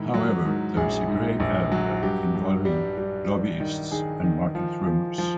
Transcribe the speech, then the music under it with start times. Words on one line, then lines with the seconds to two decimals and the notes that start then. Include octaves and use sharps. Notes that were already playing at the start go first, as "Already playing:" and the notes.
However, there is a grey area involving lobbyists and market rumours.
Already playing: G#2 D#3 E4
0.14 F#3
0.46 G#2
0.77 A#1 G#4
1.08 G#2
1.40 A#1
1.72 F#3
2.03 G2 G4
2.34 G2
2.65 G3
2.98 G3
3.29 G3
3.60 D#3
3.91 D#3 G#4
4.24 D#3
4.55 F3
4.86 F3
5.18 F3